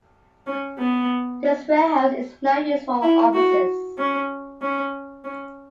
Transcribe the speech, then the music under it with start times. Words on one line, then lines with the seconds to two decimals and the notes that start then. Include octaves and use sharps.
This warehouse is now used for offices.
0.47 C#4
0.78 B3
3.02 E4
3.33 F#4
3.98 C#4
4.62 C#4
5.24 C#4